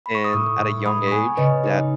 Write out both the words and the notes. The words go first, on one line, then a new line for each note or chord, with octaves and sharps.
And at a young age, that
B5
C#6
D#6
A2 C#6 E6
A2
G#3 B5 D#6
C#6
B3 G#5 B5
C#3 B4 D#5
D#4 G#4